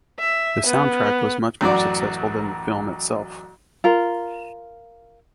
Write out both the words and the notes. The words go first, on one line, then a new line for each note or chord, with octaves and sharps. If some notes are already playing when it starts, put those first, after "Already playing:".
That soundtrack was much more successful than the film itself.
E5
B3
A1 F#2 F#4 D5
F4 A#4